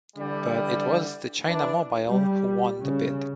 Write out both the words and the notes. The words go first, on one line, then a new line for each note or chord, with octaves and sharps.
But it was the China Mobile who won the bid.
D3 E3 G3
E3 D4
G3
C#3